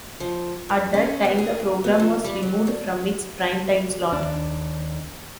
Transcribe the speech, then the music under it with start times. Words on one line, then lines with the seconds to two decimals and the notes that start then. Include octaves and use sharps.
At that time the program was removed from its prime-time slot.
0.20 F3
0.69 G2
0.94 C#4
1.25 B3
1.38 G#4
1.60 F#2
1.84 B3
2.00 F3
2.24 G3
2.43 F#3
2.67 D4
4.13 D#2 D4